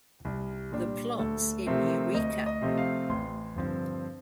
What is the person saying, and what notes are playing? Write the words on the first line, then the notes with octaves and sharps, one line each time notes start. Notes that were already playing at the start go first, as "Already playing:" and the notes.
The plots in Eureka!
C2
A#2 G3 D4
D2 A4
C3 F3 A3 C4 A#4
D2 D#5
D#5
C3 F3 A3 C4
F5
A1 C6
G2 D3 F3 C4